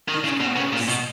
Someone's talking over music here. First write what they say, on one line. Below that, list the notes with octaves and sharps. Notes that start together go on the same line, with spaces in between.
Of course.
D#3
C#3
B2
C#3
A#2
B2